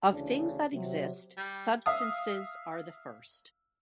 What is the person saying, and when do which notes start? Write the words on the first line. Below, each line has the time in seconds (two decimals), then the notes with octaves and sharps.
Of things that exist, substances are the first.
0.10 D2 C#3 E3 D4
0.72 C3 F#3
1.37 G3
1.86 E5 F5 D#6